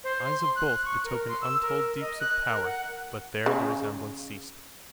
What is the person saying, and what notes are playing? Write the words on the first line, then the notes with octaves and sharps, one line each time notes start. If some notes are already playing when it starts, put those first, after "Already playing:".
Eyes of both betokened untold deeps of power, but there the resemblance ceased.
C5
C6
F#6
C#6
A#4
C6
E6
A#4
D#5
F#6
A#4
F#5
C#3